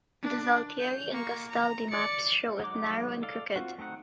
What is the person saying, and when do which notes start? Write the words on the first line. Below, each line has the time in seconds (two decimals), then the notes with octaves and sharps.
The Zaltieri and Gastaldi maps show it narrow and crooked.
0.22 D4
0.79 G6
1.11 A#3 C#6
1.49 A#5
1.90 D5 C#7
2.60 F#3 G#3 D#4 D6
3.23 A4 D5 F5
3.56 C4 F4 F#4
3.78 A3 C4 D#4 F#5